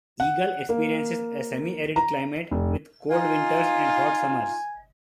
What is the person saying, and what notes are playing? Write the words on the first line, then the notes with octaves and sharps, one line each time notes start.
Eagle experiences a semi-arid climate with cold winters and hot summers.
F#5
A#3
A#5
F1
D#4 F4 G#5